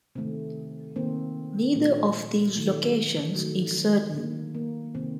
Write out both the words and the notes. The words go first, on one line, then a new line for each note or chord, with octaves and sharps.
Neither of these locations is certain.
C3 D#3 A3 C4
D#3 A#3 C4
A#2 F3 A3
D#3 F#3 A3
D#3 F#3 A3
D#3 A#3
A#3
C3 D#3 A#3 C4